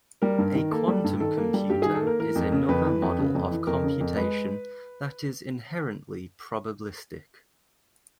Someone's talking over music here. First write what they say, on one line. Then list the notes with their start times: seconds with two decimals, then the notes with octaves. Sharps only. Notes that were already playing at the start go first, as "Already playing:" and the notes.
A quantum computer is another model of computation that is inherently probabilistic.
0.22 G3 A#4
0.38 G2
0.55 D#3
0.71 A#3 A4
0.88 G3
1.04 G2
1.20 D#3 A4
1.37 A#3
1.54 G3
1.70 G2 G4
1.82 D#3 G#4
1.95 A4
2.03 A#3 A#4
2.19 E3 A#4
2.36 F2
2.52 C#3
2.69 F2 B4
2.86 E3
3.02 F2
3.19 C#3
3.35 F2
3.51 E3
3.67 F2 A#4
3.84 C#3
4.00 F2
4.16 G#3 B4